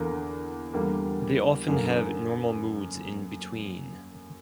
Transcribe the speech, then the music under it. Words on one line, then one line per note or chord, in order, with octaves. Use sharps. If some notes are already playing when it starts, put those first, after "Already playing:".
They often have normal moods in between.
Already playing: E2 D3 A#3
E2 D3 G3 A#3
F#2 D3 A#3